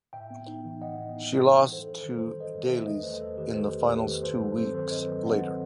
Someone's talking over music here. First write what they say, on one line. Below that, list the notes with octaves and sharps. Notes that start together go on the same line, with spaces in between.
She lost to Dalys in the finals two weeks later.
A2 E5 G5
B3
D#4
E3
A2 D#5 F#5
B3
D#4
E3
F#2
G3
A4 C5
F#2
A4
D#3
F#2 A4 C5
G3
B4 D#5
F#2
C5 E5
D#3
E2 B4 D#5
A3 A4 C5
E2 A4
D#3 G4 B4
E2 A4 C5
A3
E2 G4 B4
D#3
G2 A4 C5
F#3 A4
C4 A4 C5
B4
D#3 A4 C5
G2 B4 D#5
F#3
C4 D#5 F#5
D#3